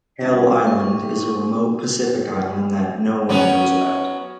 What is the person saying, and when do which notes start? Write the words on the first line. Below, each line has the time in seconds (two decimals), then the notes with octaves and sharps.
Hell Island is a remote Pacific Island that no one knows about.
0.22 C2 E3 C#4
0.67 G4 C#6
3.29 F#3 B3 C#4